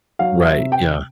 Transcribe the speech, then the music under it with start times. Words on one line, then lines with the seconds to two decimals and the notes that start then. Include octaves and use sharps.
Right, yeah.
0.19 F#3 F5
0.45 E5
0.58 C3
0.72 G5